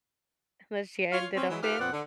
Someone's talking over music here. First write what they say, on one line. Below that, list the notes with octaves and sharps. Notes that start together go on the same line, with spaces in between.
that she ended up in
F4 C#5 F5
C4 C#4
E3 F#3 G#3
D#4 F4 G4 A#4 B4 F5
F2 A#2 B3 C4 D5 F#5
D3